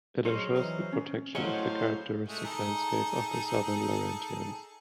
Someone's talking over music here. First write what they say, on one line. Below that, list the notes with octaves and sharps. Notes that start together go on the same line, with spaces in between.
It ensures the protection of the characteristic landscape of the Southern Laurentians.
F#3 G#3 C#4 C5
E3 C4 D#4
C#4
A2 F#3 C#4 G#4 C5 C#5 D#5 F5
G#3 A3
D#4 G#4 A4